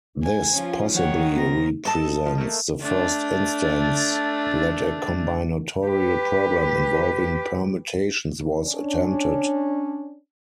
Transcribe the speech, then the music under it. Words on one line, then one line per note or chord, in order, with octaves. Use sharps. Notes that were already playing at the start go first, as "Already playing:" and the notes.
This possibly represents the first instance that a combinatorial problem involving permutations was attempted.
G#5
F3 C#4 F4
D#3 F3 A#3 G4 C#5 F#5
B3 A#4 C5 A#6
A4 D#5 A5
F3
A3 A#3
A3 D4
G4 B4
C#4 D4